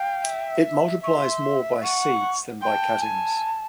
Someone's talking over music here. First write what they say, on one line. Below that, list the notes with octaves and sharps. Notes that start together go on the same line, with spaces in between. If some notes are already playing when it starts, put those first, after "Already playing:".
It multiplies more by seeds than by cuttings.
Already playing: F5 G5
E5
E5 C6 C#6
F#5 C#6
G5 A5 C6
G#5